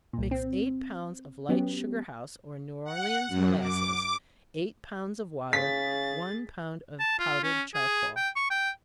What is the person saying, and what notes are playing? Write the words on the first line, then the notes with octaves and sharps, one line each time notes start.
Mix eight pounds of light sugar-house or New-Orleans molasses, eight pounds of water, one pound of powdered charcoal.
C2 A#2
C4
F#3 B3 C#4 G4
F#5
F#2
D6
C#3 G#4 A6 B6
A5
F4
C#4
G#4
G5
C#6
G5